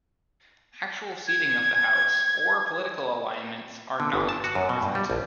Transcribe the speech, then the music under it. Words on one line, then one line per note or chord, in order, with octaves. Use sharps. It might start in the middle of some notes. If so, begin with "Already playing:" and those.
Actual seating of the House or political alignments are not represented.
G#6
D3
G1
A5
F#4
F#2
B2
G2
G3
A#1